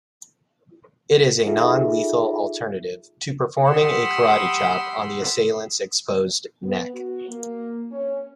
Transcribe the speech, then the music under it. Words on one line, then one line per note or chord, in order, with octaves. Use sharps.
It is a non-lethal alternative to performing a karate-chop on the assailant's exposed neck.
D#4 F4 G#4 A4 E5
G4 F#5 B5 C6 D#6 E6
B3
F#4
A#3
C#4